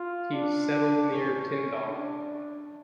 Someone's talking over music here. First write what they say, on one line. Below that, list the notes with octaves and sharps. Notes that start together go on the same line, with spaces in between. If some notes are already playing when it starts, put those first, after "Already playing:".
He settled near Tyndall.
Already playing: F4
D4
A2 E3 C#4
D4